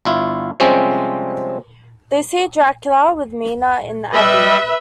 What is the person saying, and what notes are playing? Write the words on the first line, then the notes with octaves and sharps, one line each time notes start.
They see Dracula with Mina in the abbey.
G1 E4 F4
C3 F3 G3 G#3 C4 C#4
G3 B4 D#5 E5